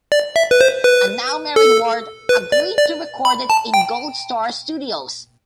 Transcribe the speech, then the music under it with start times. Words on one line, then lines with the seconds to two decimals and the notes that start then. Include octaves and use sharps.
A now-married Ward agreed to record it in Gold Star Studios.
0.12 D5
0.36 E5
0.51 B4
0.61 C5
0.84 B4
1.56 A4
2.29 B4
2.52 D5
2.78 D5
3.25 B5
3.50 A5
3.74 G5